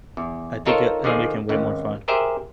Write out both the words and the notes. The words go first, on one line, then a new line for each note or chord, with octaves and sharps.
I think it it'll make him way more fun.
E2
D#4 F4 A4 A#4 C5 C#5
D3 D#3 F3 G#4
G#1 C#2
G4 G#4 A#4 C5 E5